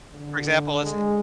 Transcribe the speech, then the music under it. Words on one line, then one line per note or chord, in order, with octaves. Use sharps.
For example, is eh
D3
G#3